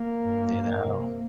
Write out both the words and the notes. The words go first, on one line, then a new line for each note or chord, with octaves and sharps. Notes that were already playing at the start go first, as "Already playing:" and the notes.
You know?
Already playing: A#3
G2
G2
F2 C3